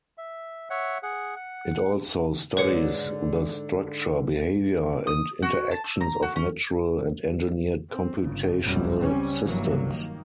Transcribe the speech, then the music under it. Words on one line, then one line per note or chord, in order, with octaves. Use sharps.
It also studies the structure, behavior, and interactions of natural and engineered computational systems.
E5
C#5 E5 F#5
G#4 F#5
F#5
G#2 D3 G#3 B4 C#5 C#7
D#6
F#4
A5
E6
A#5
F#4
C#4
C4
G1 C#3
F#1 C#2 F#2 B2 F#3 G3
C#2 C#3 G3 C4 C#4
F1 G2 E3 F#3 A#3
D#3 A#3